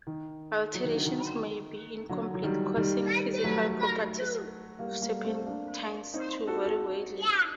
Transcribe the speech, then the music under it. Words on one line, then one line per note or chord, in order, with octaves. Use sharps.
Alterations may be incomplete, causing physical properties of serpentines to vary widely.
D#3
F#3
D#3
D3
D#3
D3 F#3
F#3
D#3 G3
D#3 G3
F#3 A3
G3 A#3
G3 A#3
A3 C4
A#3 D4
C4 D#4
F#4 A4
F#4 A4